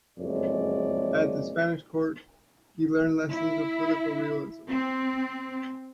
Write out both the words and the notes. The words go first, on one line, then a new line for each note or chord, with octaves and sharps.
At the Spanish court, he learned lessons of political realism.
F#1 F2 A2 G#3 D5
E4
C4